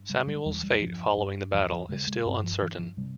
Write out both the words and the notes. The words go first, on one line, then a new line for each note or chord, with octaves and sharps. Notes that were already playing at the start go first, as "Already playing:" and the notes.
Samuel's fate following the battle is still uncertain.
Already playing: G2
C#3 G3
G3
E2 G3
G3
G2 F3
G2
E2 F3
F3
C#3 G#3
G#3
G2 C4
F3
G2 E3
F3
C3 G3